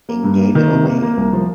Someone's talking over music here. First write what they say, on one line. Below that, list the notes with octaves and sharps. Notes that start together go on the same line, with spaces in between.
and gave it away
A#3
G2
A#3
D#3
C3
A#3
A#3
C2
F3